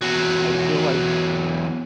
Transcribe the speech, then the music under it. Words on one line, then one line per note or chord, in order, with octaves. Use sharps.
I feel like
E2 F#3